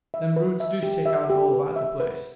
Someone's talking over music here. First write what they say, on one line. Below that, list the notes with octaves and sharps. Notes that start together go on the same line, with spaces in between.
Them roots do stick out all about the place.
E5
B4
E5
G4
E5
G4
B4
E5
B4